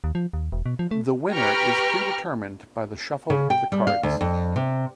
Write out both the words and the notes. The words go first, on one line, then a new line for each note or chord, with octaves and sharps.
The winner is predetermined by the shuffle of the cards.
D#2
F3
D#2
E1
B2
F3
A3
G4 B4 G5 A#5 C#6 F6
C#3
G5
G3
F5
D2
F2
C3